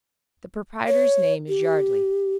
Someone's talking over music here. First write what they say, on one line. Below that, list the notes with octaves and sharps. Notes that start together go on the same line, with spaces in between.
The proprietor's name is Yardley.
C#5
G4